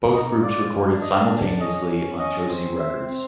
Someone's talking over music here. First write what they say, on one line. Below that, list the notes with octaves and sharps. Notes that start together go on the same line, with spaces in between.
Both groups recorded simultaneously on Josie Records.
D#4 D#5
F4 D5
C#4
D#4
D4
D#5
C#4 D#5
C#4 D#5
C4
E5
C4